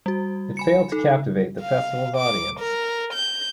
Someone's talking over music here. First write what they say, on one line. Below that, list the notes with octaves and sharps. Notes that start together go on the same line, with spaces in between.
It failed to captivate the Festival's audience.
G3 F#4
G#5 B5 C#7
D#4 A4
F5
D6
A#4
G6